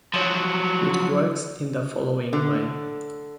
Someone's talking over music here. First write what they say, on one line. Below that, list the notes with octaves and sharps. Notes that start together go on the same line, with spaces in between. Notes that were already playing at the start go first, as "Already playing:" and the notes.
It works in the following way.
F3 F#3
D3